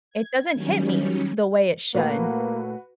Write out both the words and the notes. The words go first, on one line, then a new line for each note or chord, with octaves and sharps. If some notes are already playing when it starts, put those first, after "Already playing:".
It doesn't hit me the way it should.
G#6
D#3 F#3 G3 C#4
A#2 A3 A#3 F#4 B4